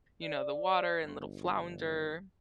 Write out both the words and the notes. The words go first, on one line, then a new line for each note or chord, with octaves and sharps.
you know, the water and little Flounder,
D5
G1